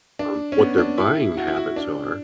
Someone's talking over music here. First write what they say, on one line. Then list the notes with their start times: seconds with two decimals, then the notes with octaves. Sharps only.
um, what their buying habits are,
0.19 D4
0.52 C#4
0.59 B3
0.78 D4
0.98 E4
1.37 F#4
1.47 E4
1.57 F#4
1.76 D4